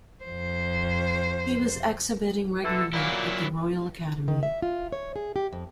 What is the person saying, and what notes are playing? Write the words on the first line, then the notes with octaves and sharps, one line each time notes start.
He was exhibiting regularly at the Royal Academy.
F2 C5
D3 E3 A4
A#2 F#3 E4
D#3
E5
F4
C#5
G#4
G4
F2